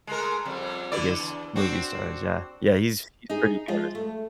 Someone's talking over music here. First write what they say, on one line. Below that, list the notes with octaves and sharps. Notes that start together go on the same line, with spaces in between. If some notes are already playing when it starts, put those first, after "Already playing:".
I guess, movie stars, yeah. Yeah, he's he's pretty famous.
G#3 A3 A#4
F2 G3
D3 E4 D5
E2
C4 D4 F#4
D#4 G#4
F3 G#3 F4
A3